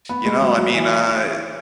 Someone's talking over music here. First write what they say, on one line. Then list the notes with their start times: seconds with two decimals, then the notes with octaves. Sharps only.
you know, I mean, uh,
0.09 B3
0.25 G#3
0.42 F#3
0.57 F#3
0.74 E3